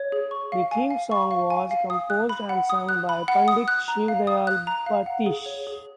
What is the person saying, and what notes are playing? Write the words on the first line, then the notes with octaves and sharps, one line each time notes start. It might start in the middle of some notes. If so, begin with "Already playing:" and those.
The theme song was composed and sung by Pandit Shiv Dayal Batish.
Already playing: C#5
G#4
C#6
F5
G#5
F5
C#6
F5
G#5
F5
D#6
F#6
B5
F#5
D#6
F#6
B5
F#5
D#6
F#6
A#5
F5
D#6
F#6
A#5
F5
F#5
G#4
C#5
G#4